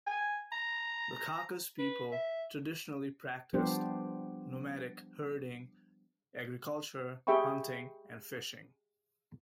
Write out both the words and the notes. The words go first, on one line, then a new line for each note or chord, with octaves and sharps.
The Khakas people traditionally practiced nomadic herding, agriculture, hunting, and fishing.
G#5
A#5
B4
E5
F3 G3 B3 D4 G4 C5
G4 G#4 E5 G5 B5 C#6